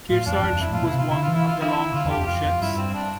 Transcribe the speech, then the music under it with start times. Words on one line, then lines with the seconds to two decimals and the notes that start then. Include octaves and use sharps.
"Kearsarge" was one of the "long-hull" ships.
0.11 A2 F4
0.26 F2 D4
0.36 G2
0.43 F2
0.52 E2
0.60 F2 E4
0.68 G2
0.71 A2 F4
0.82 B2
0.85 E4
0.93 C3
0.98 F4
1.10 D3 E4
1.23 F4
1.28 E3
1.34 E4
1.47 F4
1.60 C4 E4
1.94 D3 F4
2.05 E2
2.10 G4
2.16 F2
2.27 F2 F4
2.45 F2
2.61 G2 E4
2.78 C4
2.94 D4